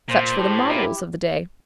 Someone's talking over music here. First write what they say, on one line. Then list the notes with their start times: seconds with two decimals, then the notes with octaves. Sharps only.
Such were the models of the day.
0.09 A#2 C5
0.39 A2 G4
0.69 A#2 E4